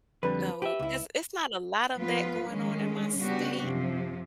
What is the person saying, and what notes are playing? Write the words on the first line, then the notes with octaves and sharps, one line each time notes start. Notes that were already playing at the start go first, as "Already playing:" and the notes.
No, 'cause it's not a lot of that going on in my state.
F2 D3 G3 B4
G4 B4 E5
C#2 E4
F3 B3 F4 B4
D#3 G#3 C#4
C#3 G3 B3 D4 F#4 G4
F#2 C3 F3